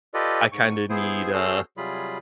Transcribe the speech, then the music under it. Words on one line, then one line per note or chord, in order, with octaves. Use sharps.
I kinda need, uh,
F4 G4 A4 B4 D5 D#5
G#2 C#6
B3 E4 G#4 C5
C#4 F#4 G#4 A4 C5
C3 F#3 G3 F4 G#4 B5